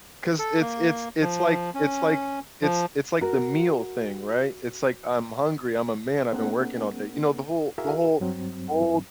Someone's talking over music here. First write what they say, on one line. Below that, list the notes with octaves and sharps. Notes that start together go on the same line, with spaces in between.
'Cause it's it's it's like it's like it's it's like the meal thing, right? It's like, "I'm hungry. I'm a man. I've been working all day." You know the whole the whole the whole
A4
A#3
F3
C#4
F3
F#4 A#4
A#3 C4 D4 G#4 A#4 F#5
E4 F#4 G#4 A#4 E5 F5
G2 F#3 C4